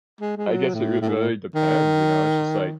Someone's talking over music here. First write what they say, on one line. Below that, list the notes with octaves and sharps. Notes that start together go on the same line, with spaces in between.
I guess it r really depends, you know? It's just like,
G#3
G#3
F#3
A2
A2
G#2
A2
D#3